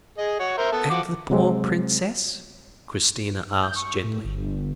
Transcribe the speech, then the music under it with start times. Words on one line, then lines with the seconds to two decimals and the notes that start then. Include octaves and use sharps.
"And the poor princess?" Christina asked gently.
0.18 G#4 D#5
0.40 F#4 C#5
0.58 A#4 C5 E5
0.72 B3 A4 A5
0.90 F3 F#4 D6
1.30 C3 F#3 G#3 C4
3.63 G6
3.76 C#6
4.04 A2
4.24 G1